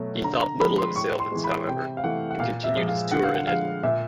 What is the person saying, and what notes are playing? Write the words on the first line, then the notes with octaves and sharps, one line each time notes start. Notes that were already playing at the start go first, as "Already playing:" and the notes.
He thought little of his ailments, however, and continued his tour in Italy.
Already playing: B2 F#3 A3
D3 A#5
A#5
F3 G#3 B5
C6
A2 C#6
C6
E3 G#3
B5
C3 G5
F5
E3 A3 F#5
F#5
A#2 F5
E5
F3 G#3
F5
D3 F#5
F5
F#5
F3 G#3 F5
A#2 E5